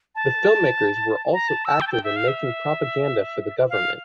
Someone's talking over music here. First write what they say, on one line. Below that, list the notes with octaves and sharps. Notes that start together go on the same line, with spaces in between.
The filmmakers were also active in making propaganda for the government.
A5
A#5
A5
E6
G5
A5
G5
E5
F5
E5
F5